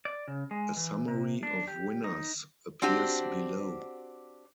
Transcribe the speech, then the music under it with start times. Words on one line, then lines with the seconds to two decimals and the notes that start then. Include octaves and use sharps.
A summary of winners appears below.
0.05 D5
0.28 C#3
0.51 G#3
0.77 E3
1.08 C3
1.43 D4
1.68 G4
2.04 D#4
2.82 C4 D4 F#4 G4